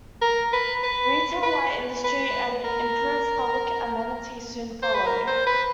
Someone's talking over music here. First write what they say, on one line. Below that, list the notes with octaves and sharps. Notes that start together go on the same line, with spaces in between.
Retail, light industry and improved public amenity soon followed.
A#4
B4
B4
B4
B4
A#4
C5
B4
A#4
C5
B4